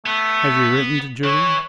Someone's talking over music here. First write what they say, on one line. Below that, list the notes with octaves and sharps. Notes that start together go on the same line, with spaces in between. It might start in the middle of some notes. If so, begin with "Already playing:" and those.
"Have you written to Julia?"
A3 B3
E3 E4 C#5